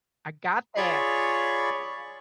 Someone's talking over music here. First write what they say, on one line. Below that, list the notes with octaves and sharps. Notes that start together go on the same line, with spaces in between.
I got that,
F4 G#4 C#5 D5 B5 C#6